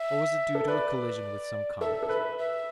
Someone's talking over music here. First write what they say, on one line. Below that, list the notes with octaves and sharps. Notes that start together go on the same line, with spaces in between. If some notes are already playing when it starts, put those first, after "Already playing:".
Or was it due to a collision with some comet?
Already playing: E5
A4
B4 D5
A4 E5
A4
B4
E5